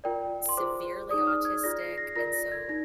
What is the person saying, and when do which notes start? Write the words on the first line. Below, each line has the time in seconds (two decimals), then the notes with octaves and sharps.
severely autistic, and so,
0.04 F4 A#4 D5 G5
0.49 C6
0.57 F4 G#4 C5 D6
1.09 D#4 G#4 D5 D#6
1.27 F6
1.45 G#6
1.64 F4 G#4 D5 A#6
1.80 C7
1.98 A#6
2.16 F4 A#4 D5 A#6
2.33 A#6
2.52 G#6
2.69 D#4 A#6